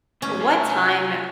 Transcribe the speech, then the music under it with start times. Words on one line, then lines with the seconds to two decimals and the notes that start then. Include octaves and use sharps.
what time
0.22 D2 G#2 C#4
0.41 F4 G#5